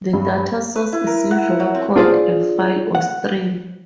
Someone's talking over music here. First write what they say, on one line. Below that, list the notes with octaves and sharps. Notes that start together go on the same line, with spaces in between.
The data source is usually called a file or stream.
G2
B4
E4
A#4
F#5
F#3
C4
D4 F4 G#4 C5 D5 F5
F#5